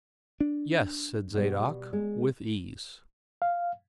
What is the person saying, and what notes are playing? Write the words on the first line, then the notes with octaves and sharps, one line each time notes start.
"Yes," said Zadok, "with ease."
D4
B2 G3
G#3
F5